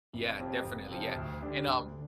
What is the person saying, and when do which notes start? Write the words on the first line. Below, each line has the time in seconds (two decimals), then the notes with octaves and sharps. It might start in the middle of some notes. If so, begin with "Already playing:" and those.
Yeah, definitely, yeah, and, um
0.13 F1
0.39 F2 C3 F3
0.64 F1
0.90 F2 C3 F3
1.15 D2
1.42 D3 G3 D4 G4
1.67 D2
1.92 D3